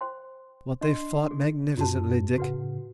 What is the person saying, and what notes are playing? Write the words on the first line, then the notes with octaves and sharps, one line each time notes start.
But they fought magnificently, Dick!
C5 G5 C6
D4 D#5 C6
G#4
F#2 F4 F#4 A5
A2 C#3 F#4 B4 F#5